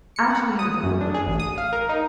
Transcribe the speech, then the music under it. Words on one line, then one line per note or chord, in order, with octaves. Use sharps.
I actually have a couple of approaches.
C#7
F#5
D#6
F#2
D4
G#4
A1
D#6
F5
A#4
D#4